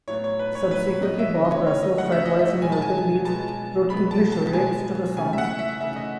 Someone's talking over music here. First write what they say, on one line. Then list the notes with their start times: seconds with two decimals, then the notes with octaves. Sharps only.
Subsequently, Bob Russell, Fred Wise and Milton Leeds wrote English lyrics to the song.
0.08 A2 F#3 B3 C#5
0.24 C#5
0.39 B4
0.55 C#5
0.71 A2 F#3 B3 B4
0.87 C#5
1.03 D#5
1.19 E5
1.35 C#3 E3 A3 D#5
1.45 D#5
1.51 C#5
1.67 C#5
1.82 D#5
1.98 C#3 E3 A3 F#5
2.12 E5
2.25 D#5
2.39 E5
2.62 B2 G#3 B3 G#5
2.72 A5
2.82 G#5
3.25 B2 G#3 B3 A5
3.90 B2 G#3 B3 B5
4.11 A5
4.32 A5
4.53 B2 G#3 B3 G#5
5.17 C#3 E3 A3 G#5
5.33 E5
5.38 F#5
5.59 E5
5.80 C#3 E3 A3 E5
5.96 D#5